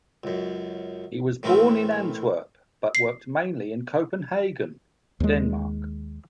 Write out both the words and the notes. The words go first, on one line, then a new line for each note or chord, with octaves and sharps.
He was born in Antwerp but worked mainly in Copenhagen, Denmark.
C#2 F#2
A2 E3 A3 A#3 C4 E4
C7
D#2 G#3